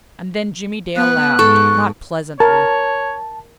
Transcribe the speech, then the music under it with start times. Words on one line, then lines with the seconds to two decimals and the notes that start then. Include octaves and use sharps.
And then Jimmie Dale laughed--not pleasantly.
0.96 B3 F#6
1.39 G#2 A4 C#6
2.40 A#4 C#5 A5